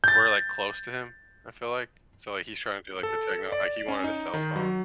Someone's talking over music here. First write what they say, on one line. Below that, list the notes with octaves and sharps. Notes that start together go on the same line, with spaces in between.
We're, like, close to him, I feel like. So, like, he's trying to do, like, the techno like, he wanted a cell phone
G6 A6
A4
D5
C#4
D#4
D#3
F#3